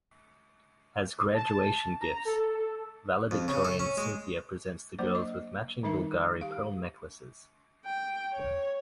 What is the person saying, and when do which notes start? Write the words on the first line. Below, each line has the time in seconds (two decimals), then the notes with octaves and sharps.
As graduation gifts, valedictorian Cynthia presents the girls with matching Bulgari pearl necklaces.
1.34 A5
2.00 A#5
2.25 A4
3.31 F2
3.48 C#3
3.65 A4
3.80 C#4
3.97 G#3
4.99 F#3 A#3 D4 C5
5.15 D#5
5.83 D#3 G3 D#4 A#4 E5 A#5
6.41 G4 F5
7.85 G5
8.33 C#5